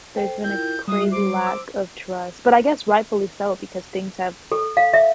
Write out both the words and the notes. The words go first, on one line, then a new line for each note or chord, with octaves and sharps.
There's been a crazy lack of trust, but I guess rightfully so because things have
A4 C5 G5
E4 F4 A#4 G6
G3 F4 F#4 E5 D#6 C7
C5 C6 D6
E6
A4
F5
E5